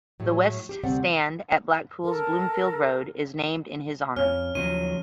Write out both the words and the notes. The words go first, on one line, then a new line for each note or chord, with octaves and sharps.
The West Stand at Blackpool's Bloomfield Road is named in his honour.
A2 F#3 G#3
G4
D2 C3 G3 C4 D5 F#5
A4 A#4
F2 C#4 F6
D#2 C#3 F3 F#3 D#7